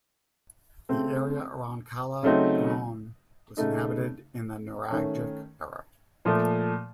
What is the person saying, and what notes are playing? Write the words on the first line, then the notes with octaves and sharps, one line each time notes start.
The area around Cala Gonone was inhabited in the Nuragic Era.
C#3 A3 C4
C#3 F#3 A3 C4 D#4
C#3 A3 D#4
D#3 A3 C#4
A#2 F3 A3